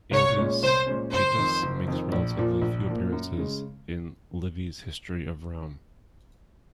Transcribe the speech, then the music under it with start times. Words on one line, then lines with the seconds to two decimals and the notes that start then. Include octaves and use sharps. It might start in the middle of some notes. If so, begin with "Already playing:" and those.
Aelius Paetus makes relatively few appearances in Livy's History of Rome.
0.11 C2 C#5
0.36 A#2 G#3 C#4
0.62 C2 C5
0.87 A#2 G#3 C#4
1.12 F#1 C5
1.37 F2 D#3
1.62 F#1
1.88 F2 D#3
2.12 A#1
2.37 A#2 F3 A#3
2.62 A#1
2.86 A#2 F3 A#3
3.12 F#2
3.37 C#3 G#3